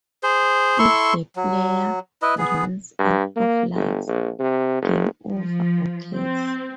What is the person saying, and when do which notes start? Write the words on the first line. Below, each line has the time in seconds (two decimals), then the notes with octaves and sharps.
If the player runs out of lives, game over occurs.
0.23 G#4 C5
0.79 E4 A4 C6 C#6
1.36 F#3
2.22 E4 B4 D#5
2.38 B3 G#4
2.99 G2
3.36 A#3
3.75 G1
4.08 A#1
4.39 C3
4.82 F#1
5.31 F3
6.14 C4